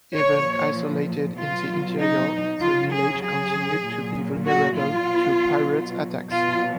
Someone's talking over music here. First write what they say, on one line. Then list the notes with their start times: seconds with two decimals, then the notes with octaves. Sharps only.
Even isolated in the interior, the village continued to be vulnerable to pirate attacks.
0.16 A#2 F3 C#5
1.39 B2 F#3 F4
2.00 D#4
2.61 C#3 F#3 F4
2.93 G#4
3.24 G#4
3.85 A#2 F#3
4.45 F#4
4.77 F4
5.07 B2 F#3
6.30 B2 F#3 F4